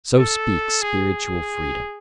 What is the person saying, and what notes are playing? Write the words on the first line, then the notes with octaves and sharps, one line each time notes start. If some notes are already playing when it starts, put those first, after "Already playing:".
So speaks "spiritual freedom."
A4
G#4